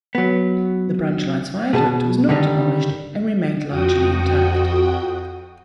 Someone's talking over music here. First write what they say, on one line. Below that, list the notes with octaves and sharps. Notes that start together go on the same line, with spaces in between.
The branch line's viaduct was not demolished and remained largely intact.
F#3 B3
B2 G#4 A5
G2 D3 D#3 G3 D#4
F2 F#4 G5 D#6